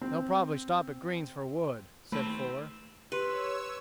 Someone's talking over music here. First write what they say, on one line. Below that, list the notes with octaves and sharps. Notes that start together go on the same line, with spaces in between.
"They'll probably stop at Green's for wood," said Fuller.
C4
D#2 A3 C4 B4
G4 B4 C#5 C6 E6